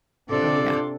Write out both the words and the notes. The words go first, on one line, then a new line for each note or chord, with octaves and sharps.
Oh, yeah.
C3 D4 F4 A4 D5 C6 D6